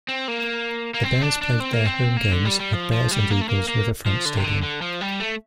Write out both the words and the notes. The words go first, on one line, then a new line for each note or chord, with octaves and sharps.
The Bears played their home games at Bears and Eagles Riverfront Stadium.
C4
A#3
A#3
C4
D4
D4
C4
A#3
C4
A#3
D3
G3
G3
F3
F3
G3
A#3
A3
A#3
A#3
F3
D3
C3
D3
D3
F3
G3
A3